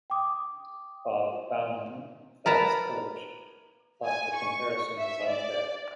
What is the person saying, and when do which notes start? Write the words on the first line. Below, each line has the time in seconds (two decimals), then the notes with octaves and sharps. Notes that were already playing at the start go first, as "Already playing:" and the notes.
Bob Bowman, Phelps' coach, thought the comparison was unfair.
0.10 G5 D6 D#6
2.46 A#4 B4 A5 A#5
4.05 G#5
4.36 C#6
4.97 E5
5.28 D5